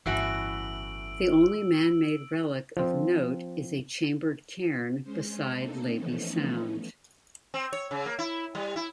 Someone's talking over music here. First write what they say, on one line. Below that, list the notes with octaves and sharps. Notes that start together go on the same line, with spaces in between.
The only man-made relic of note is a chambered cairn beside Lavey Sound.
G1 A2 E3 C#4 F#4 E6 D7 F#7
F3 C4
G#3 C#4 C5
A#3 C4 D4 D#4 A4
E3 F3 A3 B3 C#4 D#4
C4
C#5
C#3
A#3
E4
G3
E4